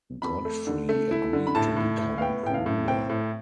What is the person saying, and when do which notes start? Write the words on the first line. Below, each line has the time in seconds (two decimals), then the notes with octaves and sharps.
Godfrey agreed to become ruler.
0.22 F2 B5
0.45 A3
0.67 D3
0.89 A3
1.11 E4
1.33 D3
1.47 B5
1.55 A2 A5
1.77 A2
1.99 A2
2.18 F5
2.21 B3 G5
2.43 A2 G5
2.54 F5
2.66 A2
2.88 C4 G5
3.10 A2